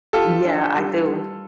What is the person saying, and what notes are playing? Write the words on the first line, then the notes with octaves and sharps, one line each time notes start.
Yeah, I do.
F4 G4 A4
D4
G3
G3